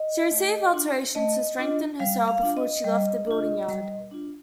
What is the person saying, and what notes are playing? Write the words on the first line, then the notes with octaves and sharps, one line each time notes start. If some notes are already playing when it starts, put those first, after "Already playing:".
She received alterations to strengthen her sail before she left the building yard.
Already playing: D#5
A3
D4 F4
A3 D#5
D4 F4
G3 F5
F5
D4 F4
D#5
G3
D4 F4
G3
D4 F4